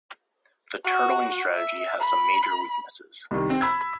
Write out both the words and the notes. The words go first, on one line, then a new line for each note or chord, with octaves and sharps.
The turtling strategy has some major weaknesses.
F#4
E5
B5
C2 D#3
C4 C5
B5 E6 G#6